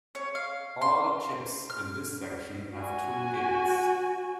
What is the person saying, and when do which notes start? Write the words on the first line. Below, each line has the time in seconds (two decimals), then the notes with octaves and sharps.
All chips in this section have two gates.
0.15 C#5
0.35 F5
0.81 C6
1.70 F6
2.76 F#4 G#5